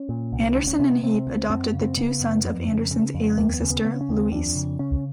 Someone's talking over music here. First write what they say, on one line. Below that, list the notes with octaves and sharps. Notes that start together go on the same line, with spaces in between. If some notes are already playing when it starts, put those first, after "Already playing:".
Anderson and Heap adopted the two sons of Anderson's ailing sister, Lois.
Already playing: C#4
A#2
C2
D2 D4
C#4
C3 C4
B3
C3 C4
D2
F#2 C4
C#3
C4
C#3 B3
F#2
F2
C#3
C#3
F2
D#2 A#3
B3
C#3
B3
C#3 B3
C#4
D#2
C4
F2 D4
C#3
C#3 C#4